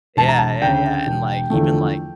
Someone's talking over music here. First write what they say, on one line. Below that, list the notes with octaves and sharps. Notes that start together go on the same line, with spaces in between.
Yeah, yeah, yeah, and, like, even, like,
E1 A5
A#5
A5
D2 C#3 G5
E1
E2 D3 F3 A3